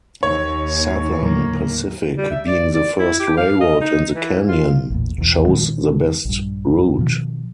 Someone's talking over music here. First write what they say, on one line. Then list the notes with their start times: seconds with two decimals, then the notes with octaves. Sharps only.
Southern Pacific, being the first railroad in the canyon, chose the best route.
0.23 D#2 C#5
1.22 A2 D3 F#3 A#3
2.18 G3
2.31 E5
2.47 D5
2.74 D5
2.99 E4
3.20 G4
3.37 F5
3.61 D#5
3.81 D#4
4.15 E3
4.48 F4
4.90 A1 E2 A#2
5.18 B1 E2
5.47 A#2 D#3 F3 G#3
6.25 A#1 G2
6.99 B2 D#3 F3